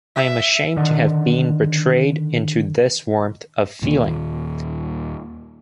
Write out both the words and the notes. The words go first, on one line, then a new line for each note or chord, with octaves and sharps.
I am ashamed to have been betrayed into this warmth of feeling.
E5
D3 D#3 D5 D#5 F#5
D#2 A#2 D#3 A#3